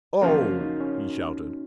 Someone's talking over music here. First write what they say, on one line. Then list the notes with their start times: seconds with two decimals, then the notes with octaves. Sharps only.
"Oh!" he shouted.
0.21 F#2 C#3 F3 A#3 F4 F#4
0.41 C#4
0.61 D#4
0.80 C#4